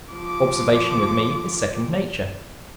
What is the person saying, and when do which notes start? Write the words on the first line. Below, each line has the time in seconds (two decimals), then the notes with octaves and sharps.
Observation with me is second nature.
0.12 F3 D6